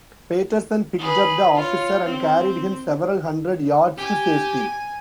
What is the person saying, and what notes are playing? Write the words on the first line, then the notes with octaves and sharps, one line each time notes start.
Patterson picked up the officer and carried him several hundred yards to safety.
G#4 B4
F4 C#5
C4
G4 G#5